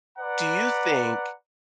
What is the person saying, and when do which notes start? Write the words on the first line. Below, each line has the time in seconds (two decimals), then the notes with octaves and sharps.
do you think
0.18 B4 D5 F#5 A#5